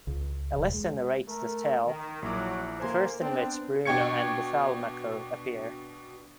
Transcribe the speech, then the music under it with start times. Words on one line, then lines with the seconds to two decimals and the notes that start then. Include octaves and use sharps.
Elissa narrates this tale, the first in which Bruno and Buffalmacco appear.
0.07 C#2
0.56 E1
0.74 G#3
1.28 A3 A#4
1.87 D#3
2.22 A#1 F#3 E4 D6
2.80 D2 A#3 C5 G#5 C6
3.21 B3 C4 D4
3.85 B2 D4 G5 C#6 G#6 C#7